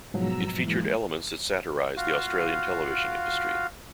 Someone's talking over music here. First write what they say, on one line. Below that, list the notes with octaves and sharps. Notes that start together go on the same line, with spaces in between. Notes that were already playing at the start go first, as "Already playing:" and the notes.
It featured elements that satirised the Australian television industry.
G#2 B2 F3 F#3 A#5 E6
E3 G#3 A#3
F4 F#4 F5